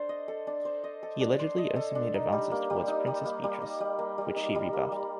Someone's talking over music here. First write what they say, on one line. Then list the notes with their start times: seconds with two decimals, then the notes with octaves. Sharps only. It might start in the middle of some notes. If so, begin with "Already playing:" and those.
He allegedly also made advances toward Princess Beatrice, which she rebuffed.
Already playing: D4 A4 C5
0.09 D#5
0.28 A4
0.47 D4
0.65 C5
0.84 D#5
1.03 A4
1.21 D4
1.39 C5
1.58 D#5
1.76 A4
1.95 D4
2.14 D#4
2.32 G3
2.51 A#3
2.70 G3
2.88 D#4
3.07 G3
3.25 A#3
3.44 G3
3.62 D#4
3.80 G3
3.99 A#3
4.18 G3
4.36 D#4
4.55 G3
4.73 A#3
4.92 G3